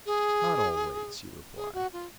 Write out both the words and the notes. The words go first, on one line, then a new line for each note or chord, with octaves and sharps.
"Not always," he replied.
G#4
G#4
F#4
F4